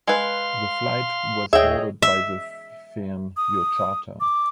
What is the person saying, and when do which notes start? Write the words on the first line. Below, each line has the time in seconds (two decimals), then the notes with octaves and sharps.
The flight was ordered by the firm "Your Charter".
0.07 G#3 B4 F5 C6
1.53 D#2 G#4 C#5 D#5 E5 G5
2.02 E5
3.37 D#6
4.20 D6